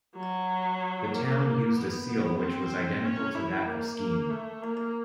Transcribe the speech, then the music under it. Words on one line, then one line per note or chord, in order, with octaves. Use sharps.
The town used a seal which was identical to that of Skien.
F#3
A#3
B3
B3
C4
C#4
E4
A#3
A#3
A3
A#3